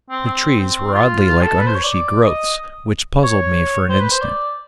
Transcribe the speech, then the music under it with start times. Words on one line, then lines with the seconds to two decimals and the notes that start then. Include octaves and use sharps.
The trees were oddly like undersea growths, which puzzled me for an instant.
0.10 C4
0.27 C4
0.60 C4
0.93 F4
1.26 F4
1.42 A4
1.59 B4
1.66 C5
1.75 C#5
1.84 D5
2.24 D#5
3.23 C#5
3.89 C5
3.99 B4
4.11 C5
4.21 D5